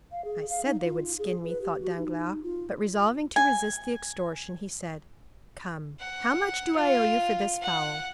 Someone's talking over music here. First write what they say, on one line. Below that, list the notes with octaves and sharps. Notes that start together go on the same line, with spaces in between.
"I said they would skin me," thought Danglars; but resolving to resist the extortion, he said, "Come, how much do I owe you for this fowl?"
F5
G#4
F5
D#4
F4
G#4
B4
G4
F#4
D#4
F4
G#5
F#5
F4
F#5